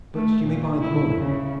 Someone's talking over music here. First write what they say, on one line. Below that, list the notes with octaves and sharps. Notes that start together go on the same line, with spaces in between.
"But you may bide the morning?"
A3
A#2
E4
C#3